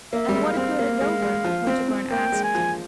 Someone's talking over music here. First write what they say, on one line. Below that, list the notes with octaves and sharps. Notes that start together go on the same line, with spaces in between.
"And what occurred at Dover?" Winterbourne asked.
A#3 E5
G3
G#3
F5
C4
A#3
G#3
G#3
F3
C4
C4
A#3 G5
G#3
G#5
F3